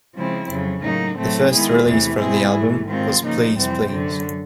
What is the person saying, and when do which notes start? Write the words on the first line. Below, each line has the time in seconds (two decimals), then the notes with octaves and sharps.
The first release from the album was "Please Please".
0.15 C#3 F3 G#3 C4 E4
0.49 F2 C#3 F#3
0.82 A2 F#3 A#3 D#4
1.17 A2 F#3 A3 C4
1.50 D#3 G#3 B3 E4 G#4
1.85 E2 C3 E3 A3
2.18 B2 G#3 C4 E4 G#4
2.54 G#2 E3 A3
2.87 D#3 G#3 C4 F4
3.22 C#3 F3 A#3 D#4
3.55 F2 C3 E3 G3 C4
3.90 F#2 D3 F#3